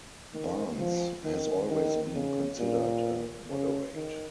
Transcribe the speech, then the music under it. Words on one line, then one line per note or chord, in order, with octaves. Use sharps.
Barnes has always been considered a moderate.
D#3
F3
D#3
D#3
C#3
A#2
C#3
D#3